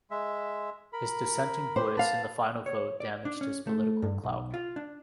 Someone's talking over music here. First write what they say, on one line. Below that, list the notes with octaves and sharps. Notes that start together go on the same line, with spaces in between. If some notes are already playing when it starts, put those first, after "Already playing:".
His dissenting voice in the final vote damaged his political clout.
G#3 E5
A#4 B5
G4 B4 C5
B4 F5 A5
C#5
D5
D4
C#4
A3
G2
B1
F4
D4